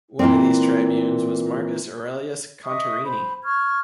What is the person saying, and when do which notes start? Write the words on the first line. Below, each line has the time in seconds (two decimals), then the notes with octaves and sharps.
One of these Tribunes was Marcus Aurelius Contarini.
0.19 A#2 E3 C4
2.64 D#5 E5 C#6 D#6
3.04 C5 B5
3.44 C#6 F6 G#6